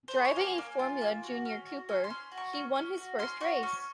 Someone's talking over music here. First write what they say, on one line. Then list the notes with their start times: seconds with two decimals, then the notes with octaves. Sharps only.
Driving a Formula Junior Cooper, he won his first race.
0.08 C5
0.14 G#4
0.25 C#5
0.36 A#3 G#5
0.58 A#3
0.79 F4
1.01 A#3
1.23 F#4
1.45 C#4
1.66 F#4
1.89 C#4 G#5
2.04 C6
2.10 C#4
2.32 F#4
2.37 C#6
2.53 C#4
2.76 C#4
2.98 F#4
3.19 C#4 C6
3.41 F#4 C#6
3.63 C#4 C#6